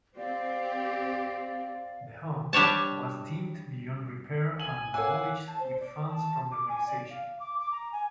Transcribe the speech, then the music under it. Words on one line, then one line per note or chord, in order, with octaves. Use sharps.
The home was deemed beyond repair and demolished with funds from the organization.
C4 G4 D5 F5
G3 D4 C#5 A5
G#5 F#7
A#4 C#5 F5 F#5 G#5 D6 E6
A5
C5
D5
A5
D6
G#5
D5
F5
D6
D6
A#5
G#5